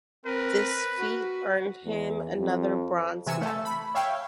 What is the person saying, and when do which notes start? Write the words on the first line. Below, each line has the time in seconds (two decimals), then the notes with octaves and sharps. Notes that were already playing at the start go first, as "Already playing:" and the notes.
This feat earned him another bronze medal.
0.25 C4 A#4 B4
0.98 F#4
1.85 E2
2.37 F2
3.26 C3 E3 G#5 E6 C#7 E7
3.41 A3 A4
3.65 B5
3.95 C#5 E5 F5 G5